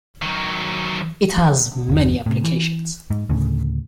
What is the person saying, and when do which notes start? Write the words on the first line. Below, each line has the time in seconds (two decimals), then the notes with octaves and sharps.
It has many applications.
0.22 D#3 F#3
1.89 G1 E2
2.26 A2 C3
2.44 E3
3.10 G#2
3.29 D2 A2 C#3